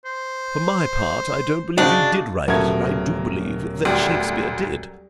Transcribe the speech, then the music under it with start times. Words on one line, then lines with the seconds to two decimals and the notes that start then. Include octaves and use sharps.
For my part, I don't believe you did write it, and I do believe that Shakespeare did.
0.05 C5
1.78 G#2 C#3 G#3 D4 F#4
2.48 D#1 F#3 A3 B3 A#4 G#6
3.85 D2 G3